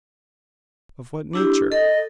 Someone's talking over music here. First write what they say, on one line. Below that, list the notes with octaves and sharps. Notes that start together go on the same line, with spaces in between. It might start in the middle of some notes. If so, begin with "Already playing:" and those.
Of what nature?
D4 E4 G4
A4 D#5